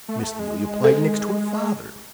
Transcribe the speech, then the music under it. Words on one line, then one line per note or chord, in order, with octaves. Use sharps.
Miss Neelie applied next to her father.
A3
B3
A3
G#3
A4